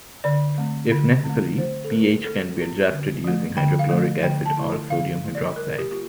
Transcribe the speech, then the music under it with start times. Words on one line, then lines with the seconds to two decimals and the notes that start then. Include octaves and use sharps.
If necessary, pH can be adjusted using hydrochloric acid or sodium hydroxide.
0.24 D3 D5
0.58 A3 C4
0.91 D3
1.24 C4
1.29 A3
1.57 A3 C5
1.84 A4
1.91 C4 F4 A#4
2.24 A3 A4
2.57 F4
2.62 C4
2.91 D3
3.24 F3 A3
3.57 D3 G5
3.79 F5
3.90 F3 A3
4.23 D3 G5
4.46 A5
4.57 A3 E4
4.90 D3 F5
5.24 A3 E4
5.35 D5
5.56 G3 A#4
5.78 G4
5.90 A#3 F4 G4